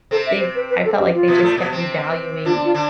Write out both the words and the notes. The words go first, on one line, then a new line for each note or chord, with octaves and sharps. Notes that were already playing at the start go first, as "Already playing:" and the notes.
they I felt like they just kept devaluing
C3 C4 A4
E5
C5
B4
B4
A4
G4
F4
B2 B3
A2 A3
B2 B3
C3 C4
D3 D4 F4
F4
D3 D4